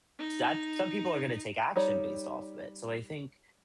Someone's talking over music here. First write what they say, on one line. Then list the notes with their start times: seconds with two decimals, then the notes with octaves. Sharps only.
that's some people are going to take action based off of it, so I think
0.19 D#4
1.76 G3 D#4 C#5 D5